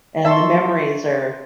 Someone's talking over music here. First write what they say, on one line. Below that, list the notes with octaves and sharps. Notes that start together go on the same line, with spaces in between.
and the memories are
E5 A5 C6 C#6